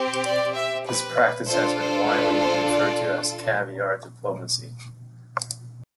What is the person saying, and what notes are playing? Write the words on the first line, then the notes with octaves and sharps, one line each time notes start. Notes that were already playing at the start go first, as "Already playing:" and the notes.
This practice has been widely referred to as "Caviar diplomacy".
Already playing: C4 G4
D5
E5
B4
D4 F4 A4 C5
C5
B4
C5
D5